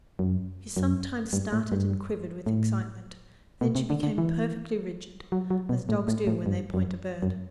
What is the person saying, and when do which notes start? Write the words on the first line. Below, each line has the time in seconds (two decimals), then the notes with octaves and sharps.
She sometimes started and quivered with excitement, then she became perfectly rigid, as dogs do when they point a bird.
0.19 F#2
0.77 F#2
1.33 G2
1.52 A2
1.72 G2
2.46 A2
3.61 B2
3.75 C3
3.90 D3
4.03 D3
4.18 E3
5.32 F#3
5.50 F#3
5.69 B2
5.89 A2
6.08 A2
6.27 A2
6.46 G2
6.74 F#2
7.22 F#2